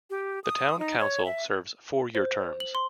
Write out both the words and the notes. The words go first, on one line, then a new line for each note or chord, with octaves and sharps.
The Town Council serves four-year terms.
G4
D#6
D#4
C#5
E5
C5
F#7
C6